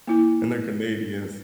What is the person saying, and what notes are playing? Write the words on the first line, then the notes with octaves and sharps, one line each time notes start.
and they're Canadians.
A#3 E4